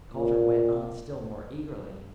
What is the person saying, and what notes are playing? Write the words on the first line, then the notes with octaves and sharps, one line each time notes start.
Calder went on still more eagerly.
A#2